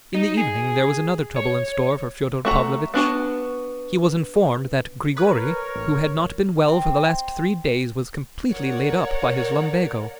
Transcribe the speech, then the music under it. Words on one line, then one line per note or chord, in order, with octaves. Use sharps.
In the evening there was another trouble in store for Fyodor Pavlovitch; he was informed that Grigory, who had not been well for the last three days, was completely laid up by his lumbago.
D#4
G#4
C#5
A3 F#4 A#5
B3 D4 F#4 A5
A#4 B4 C#5
A1
C4
A#4 C#5 D5 F#5